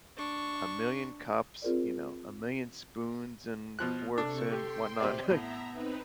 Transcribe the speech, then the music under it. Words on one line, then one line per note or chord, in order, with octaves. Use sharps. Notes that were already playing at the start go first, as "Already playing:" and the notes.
a million cups, you know? A million spoons, and forks, and whatnot, and I
D4 C#6
C4 F4 G#4 A#4 C5 D5
B2 F3 F#6
C3 D4 A4 C#6
G4 G5 C6
C3 C4 D5
A2 B3 E5 A#5
C4 D#4 B4